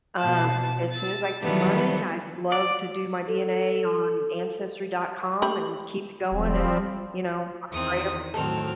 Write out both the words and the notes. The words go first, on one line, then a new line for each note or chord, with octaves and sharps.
Um, as soon as I get the money, I'd love to do my DNA on ancestry.com and keep it going and, you know, I pray every
B2 A5
E6 A6
D#3 E3 F#3 G3 A3 B3
D5
A4
G4 B5
E1 F3 G3 C4
E2 D#3 C4 D#6
A2 D#3 F#3 C4 A4 F6